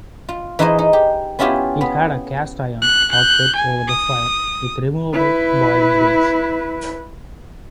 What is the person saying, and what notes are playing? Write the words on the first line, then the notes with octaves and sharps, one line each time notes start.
It had a cast-iron hotplate over the fire with removable boiling rings.
F4
E3 D#4 E4 G#4 C5 D#5
D#4
G4
B3 C#4 E4 F4 G4 G#5
B3
F#6
F#6 G6
G#5
D#6
E4 B4